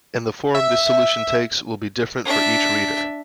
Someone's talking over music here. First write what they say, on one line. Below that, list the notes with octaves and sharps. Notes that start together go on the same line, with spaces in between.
And the form this solution takes will be different for each reader.
E5
D4 E5